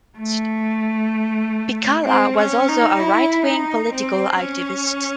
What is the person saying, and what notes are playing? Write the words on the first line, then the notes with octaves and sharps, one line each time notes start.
Pihkala was also a right-wing political activist.
A3
C4
C#4
D#4
E4
D#4
C4
C#4